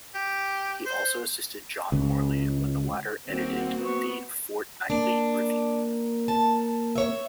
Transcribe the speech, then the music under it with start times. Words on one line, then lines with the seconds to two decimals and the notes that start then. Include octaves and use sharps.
He also assisted John Morley, when the latter edited the "Fortnightly Review".
0.14 G4
0.86 C5
1.92 C#2
3.27 D#1 A#3 C4 F#4
3.80 F#3 B3 C#6
4.90 A#3 D4
6.28 A5
6.96 C#5 E5